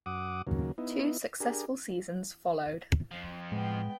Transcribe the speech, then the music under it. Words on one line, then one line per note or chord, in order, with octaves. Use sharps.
Two successful seasons followed.
F#2 F#5 D6 D#6
D#2 C#3 F#3 A#3
B3 D#4 E4
D4 G4 G#4 A#4
F2 F3
A2 G#3 B3 G5